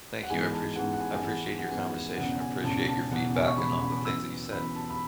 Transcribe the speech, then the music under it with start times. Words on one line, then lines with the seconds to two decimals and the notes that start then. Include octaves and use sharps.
Thank you, I apprecia I appreciate your conversation. I appreciate your feedback and all the things that you said.
0.23 F#5
0.29 G#2 E3 G#3 B3 G#5
0.53 A5
0.76 G#2 E3 G#3 B3 F#5
0.93 F#5
1.00 G#5
1.15 G#5
1.23 G#2 E3 G#3 B3 F#5
1.59 F#5
1.69 G#2 E3 G#3 B3 G#5
2.17 E1 E2 C#3 F#5
2.40 G#5
2.64 E1 E2 C#3 A5
2.87 A5
3.11 E1 E2 C#3 F#5
3.35 G#5
3.47 C#6
3.57 E1 E2 C#3 B5
3.81 B5
4.04 F#2 E3 B3 E6
4.51 F#2 E3 B3 B5
4.75 A5
4.90 B5